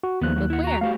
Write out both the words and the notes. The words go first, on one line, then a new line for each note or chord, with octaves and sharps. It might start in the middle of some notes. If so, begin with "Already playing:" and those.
"Look where?"
F#4
D#2 F3 B3 F#6
F#3 D#4
E4 F#5
F#4 A#5
A3 F#4 G4 F5